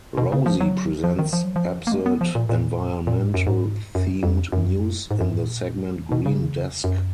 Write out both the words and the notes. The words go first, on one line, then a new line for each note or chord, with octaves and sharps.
Rosy presents absurd environmental-themed news in the segment Green Desk.
B2
C#3
F3
F#3
F3
D#3
F3
F#3
F3
A#3
G#3
B3
F3
A#2
A#2
A#2
G#2
F#2
G#2
F#2
F2
F#2
G#2
F#2
G#2
A#2
B2
C#3
F#2